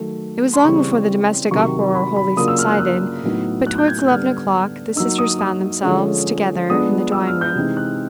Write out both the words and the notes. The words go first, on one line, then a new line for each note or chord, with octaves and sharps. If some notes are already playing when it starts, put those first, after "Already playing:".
It was long before the domestic uproar wholly subsided, but towards eleven o'clock the sisters found themselves together in the drawing-room.
Already playing: D#3 F#3 A3
C6
C#3 E3 G3 C4 C#6
C3 D#3 F#3 C#6
B5
B5
C#3 F#3 A#3 D4 F4 D#6
E6
F6
F#6
E6
A2 F#3 B3 D#4
F#6
G6
G#6
G6
D3 G3 B3 D4 F6
F#3 A#3 D#4 E6
D#6
D#6
D3 F3 G#3 C#4
F3 G#3 B3 D4 D#6
E6
F6
G6
C3 E3 G#3 C4 D#4
F#6